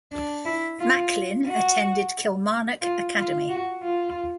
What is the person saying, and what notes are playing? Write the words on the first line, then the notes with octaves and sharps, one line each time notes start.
Macklin attended Kilmarnock Academy.
D4
E4
F4
F#4
F4
F4
F#4
F4